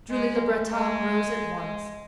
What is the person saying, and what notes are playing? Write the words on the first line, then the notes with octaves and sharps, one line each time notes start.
Julie Le Breton rose at once.
G#3
G#3
G#3